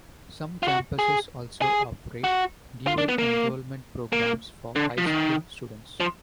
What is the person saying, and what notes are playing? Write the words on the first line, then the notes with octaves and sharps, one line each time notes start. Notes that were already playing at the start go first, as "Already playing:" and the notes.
Some campuses also operate dual-enrollment programs for high school students.
F4
F#4
G#4
G#4
F#4
F4
D4
B3
A#3
A#3
D3
F3
D#3
F3